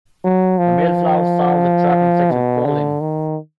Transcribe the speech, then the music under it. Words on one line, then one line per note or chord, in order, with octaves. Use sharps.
The male flowers shower the trapped insects with pollen.
F#3
F3
B2
D3
D#3